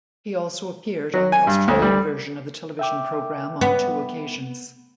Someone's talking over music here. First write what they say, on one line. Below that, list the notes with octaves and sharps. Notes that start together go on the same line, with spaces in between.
He also appeared on the Australian version of the television programme on two occasions.
F#3
G#5
G2
D2
G3
E5 G5 D6
B3